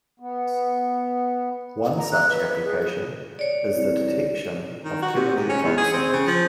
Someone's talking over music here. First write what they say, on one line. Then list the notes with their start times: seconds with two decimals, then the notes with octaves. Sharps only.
One such application is the detection chemical toxins.
0.20 B3
1.98 A#5
2.12 F#6
2.29 B4
2.50 B4
2.65 G#4
3.39 C#5 D5
3.75 C2
4.84 D#3
5.02 F#4
5.15 C3
5.36 G#2
5.49 C#4
5.63 E2
5.77 G#4
5.93 C4
6.13 C#3
6.27 F3